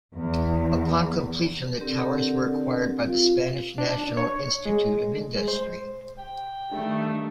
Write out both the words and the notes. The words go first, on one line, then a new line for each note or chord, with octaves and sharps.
Upon completion, the towers were acquired by the Spanish National Institute of Industry.
E2
D3 C4 G4 A#4
F4
D4
D4
C#5
G#3
G#3
C5
G5
G2 D#3 A3